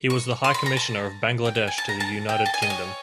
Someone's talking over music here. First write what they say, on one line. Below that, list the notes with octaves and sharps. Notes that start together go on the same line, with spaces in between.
He was the High Commissioner of Bangladesh to the United Kingdom.
C#6
C6
B5
A#5
A5
G5
G5
G#5
A5
A#5
A5
G5
A5
G#5
D#5
C#5